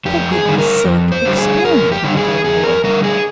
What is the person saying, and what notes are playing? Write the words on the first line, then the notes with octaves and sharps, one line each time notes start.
For goodness' sake, explain it, my dear boy.
F2 G4
G#4
D3 G3
A#4
F2
C5
D3 G3 G4
G#4
F2 A#4
G4
D3 G3
G#4
F2 G#4
A#4
D3 G3 A#4
G#4